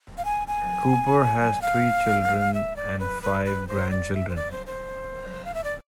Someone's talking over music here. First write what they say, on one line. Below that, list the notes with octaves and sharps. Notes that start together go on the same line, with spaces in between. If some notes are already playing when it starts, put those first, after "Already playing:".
Cooper has three children and five grandchildren.
F5
G#5
G#5
F5
E5
D5
B4
B4
B4
C5
D5
E5
C5
D5
C5
C5
F5
E5
D5